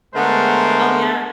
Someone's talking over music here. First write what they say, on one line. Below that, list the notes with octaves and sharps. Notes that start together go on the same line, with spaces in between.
Oh, yeah.
D3 G#3 A3 B3 A#4 C5